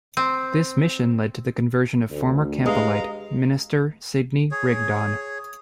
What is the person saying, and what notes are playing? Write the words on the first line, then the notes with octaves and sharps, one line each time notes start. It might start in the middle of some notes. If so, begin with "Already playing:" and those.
This mission led to the conversion of former Campbellite minister Sidney Rigdon.
C4
D2
G#3 G4 B4 F5 A#5 D#6
G#4 C#5